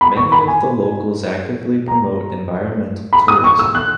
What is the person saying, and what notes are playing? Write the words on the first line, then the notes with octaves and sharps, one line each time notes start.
Many of the locals actively promote environmental tourism.
B5
C#6
B5
G#5
A#5
B5
D#6
C#6
E6
F#6